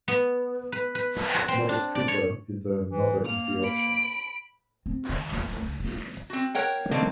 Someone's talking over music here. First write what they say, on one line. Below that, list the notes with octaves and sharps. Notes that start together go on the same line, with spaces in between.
Motor scooter is another easy option.
B3
B4
B4
F#4
C4
D4
D5
C#5
E3
A#3 F6
B5 D7
C4
D#3
D#2
A3
C#2
B1
D#4
C4 F#4
A#4 C#5 F#5 G5
D#3 A3 A#3 C4 D4